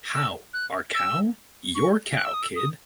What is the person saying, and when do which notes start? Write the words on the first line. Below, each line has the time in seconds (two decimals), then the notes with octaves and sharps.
How, our cow? Your cow, kid!
0.14 E6
0.54 F#6
0.95 E6
1.75 C#6
2.16 F#6
2.24 E6
2.34 D#6
2.42 E6
2.56 D#6